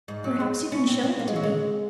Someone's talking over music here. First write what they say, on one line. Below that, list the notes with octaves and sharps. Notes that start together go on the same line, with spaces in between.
Perhaps you can show it to me?'
G#2
F#3
G#3
C#4
C4
C4
A#3
G#3
F#3
G#3